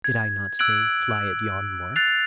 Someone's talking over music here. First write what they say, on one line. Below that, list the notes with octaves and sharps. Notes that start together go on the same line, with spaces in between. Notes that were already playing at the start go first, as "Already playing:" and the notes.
Did I not say: 'Fly at yon mark'?
G#6
E6 F#6 G#6 D7 F#7
F#6 A6 C7 F7